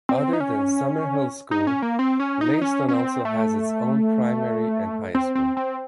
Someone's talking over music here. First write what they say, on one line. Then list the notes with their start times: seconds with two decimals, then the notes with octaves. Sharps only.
Other than Summerhill School, Leiston also has its own primary and high school.
0.09 C4
0.33 D#4
0.40 C#4
1.51 D#4
1.67 C#4
1.82 A#3
1.99 C4
2.20 C#4
2.41 D#4
2.61 C#4
2.88 C#4
2.93 C4
3.25 A3
5.15 C4
5.35 C4
5.57 C4